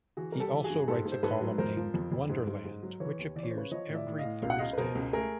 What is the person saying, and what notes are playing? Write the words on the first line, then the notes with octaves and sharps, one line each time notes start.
He also writes a column named "Wonder Land" which appears every Thursday.
E3 F#4 G#4
G3 A#4
G4 A4
E3
F#4 G#4
G2
G#2 G4 A4
G#2
C5
G#2 A4 B4
F#3
F2 A#4 C5
F3
F2
F2
G#2
G#2
G#2
F#3
E3 B4 C#5
D#2
E3 D5
C#5
C5
C#3 B4 C#5
F3 C#5 D#5
A2
D5 E5
A2
D#5 F5
A2
C#2 F5
F#5
C#2 D#5 F5
B4
B2 A#4 C5
C#2
A3 G#4 A#4